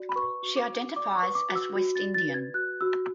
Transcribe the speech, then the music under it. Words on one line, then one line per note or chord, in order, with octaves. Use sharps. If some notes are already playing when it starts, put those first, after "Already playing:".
She identifies as West Indian.
Already playing: F#4 D5
B5
B4 C#6
F#4
D6
F#4
D5 D6
D6
C#6
B4
D6
F#4
E6
F#4
A6
D5
A6
B4
G#6
F#4 F#6
F#4 E6